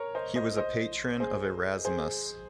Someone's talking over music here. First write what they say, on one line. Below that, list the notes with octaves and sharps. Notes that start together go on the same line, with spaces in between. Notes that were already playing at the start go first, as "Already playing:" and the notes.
He was a patron of Erasmus.
Already playing: A#4 C#5
C5 D#5
C5 D#5
C5 D#5
G#4 C5
G#4 C5